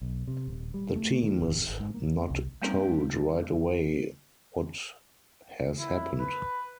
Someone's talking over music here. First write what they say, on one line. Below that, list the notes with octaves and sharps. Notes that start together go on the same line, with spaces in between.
The team is not told right away what has happened.
B1
C3
D#1
G3
A3
D#3
D1
G#1
G#2
A#3
C2
G3 A#3 C4 C#4 D#4
E4
B4